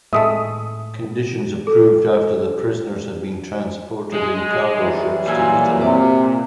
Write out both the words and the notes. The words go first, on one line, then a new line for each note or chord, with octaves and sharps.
Conditions improved after the prisoners had been transported in cargo ships to Italy.
G#1 A2 G#3 A3 E5 A5 D#6
A4
G#3
E3 F#3 G3
A#2 G#5 E6
C3 D6